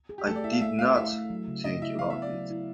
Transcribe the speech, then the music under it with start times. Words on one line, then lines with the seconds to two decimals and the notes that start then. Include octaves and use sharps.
I did not think about it.
0.09 G#4
0.18 G4
0.26 A3 A4
0.36 D5
0.44 E4 E5
0.52 F5
0.61 A3 E5
0.79 A3 F5
0.91 F5
0.95 E4 E5
1.13 A3
1.30 F#3
1.48 C#3
1.64 C#3 D#5
1.82 E4 E5
1.99 B3 F5
2.10 E5
2.16 B3
2.22 D5
2.33 F#3
2.51 E4